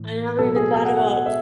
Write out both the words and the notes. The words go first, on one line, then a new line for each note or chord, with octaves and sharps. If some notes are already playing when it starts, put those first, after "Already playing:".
I never even thought about
Already playing: A2 E3
B2 F#3 A4
G#4
A4
F#5
F#5
F#5
E5